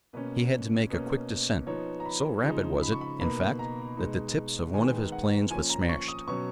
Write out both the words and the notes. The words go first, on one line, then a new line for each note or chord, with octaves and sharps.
He had to make a quick descent--so rapid was it, in fact, that the tips of one of his planes was smashed.
B2 A#3 C#4 B4
B2 A#3 C#4
F3 B3 D#4 C#5
A#5
B5
C#3 F3 G#3 D#4
B5
C#6
B5
B2 A#3 D#4 B5
A#5
B2 G#3 D#4
D#3 G#3 B3 D#4 G#5
F#5
F3 A#3 C#4 G#5
A#5
C#6
D#6
B2 F#3 C#4 C#6